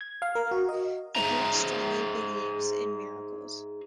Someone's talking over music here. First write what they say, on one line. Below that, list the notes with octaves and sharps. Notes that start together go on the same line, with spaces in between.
The group strongly believes in miracles.
G#6
F5
A#4
F#4
D#5
D#4 G#4 C5 E5 A#5